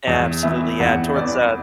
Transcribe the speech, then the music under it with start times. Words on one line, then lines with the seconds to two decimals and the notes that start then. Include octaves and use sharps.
Absolutely, yeah, and towards the
0.07 E2
0.43 E3 B3 E5
0.80 E2 F#5
1.16 E3 B3 D5